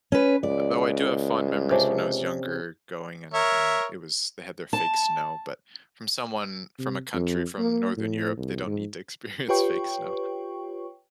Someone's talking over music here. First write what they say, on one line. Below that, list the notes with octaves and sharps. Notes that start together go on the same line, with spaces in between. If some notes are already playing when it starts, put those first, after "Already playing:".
Though, I do have fond memories when I was younger, going and and it was they had their fake snow, but, from someone from a country from Northern Europe, they don't need to experience fake snow,
C#4 B4
C#2 D5
C3 C#4 D4
A#4 C#5 E5
A5
C3
F2
A#3
A2
C2
G#2
F4 G4 B4 C#5 G5 C#6